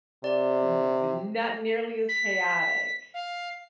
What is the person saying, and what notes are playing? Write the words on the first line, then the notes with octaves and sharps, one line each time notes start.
D not nearly as chaotic.
C3 D5
B6
F5